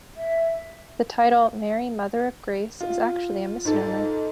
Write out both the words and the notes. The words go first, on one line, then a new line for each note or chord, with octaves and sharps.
The title, "Mary, Mother of Grace" is actually a misnomer.
E5
F4
G#2 A4